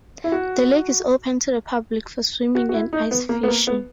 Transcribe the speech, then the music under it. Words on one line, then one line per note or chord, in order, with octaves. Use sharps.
The lake is open to the public for swimming and ice fishing.
E4
F#4
F#4
F#4
E4
D#4
B3
A#3
B3
A#3
B3